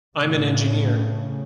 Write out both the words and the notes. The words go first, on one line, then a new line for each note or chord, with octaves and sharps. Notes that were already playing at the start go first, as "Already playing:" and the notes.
I’m an engineer.
A2 C#3